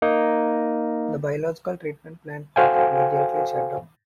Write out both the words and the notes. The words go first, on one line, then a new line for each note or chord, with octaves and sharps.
The biological treatment plant was immediately shut down.
A#3 D#4
F#4 A4 C5 F5 G5 G#5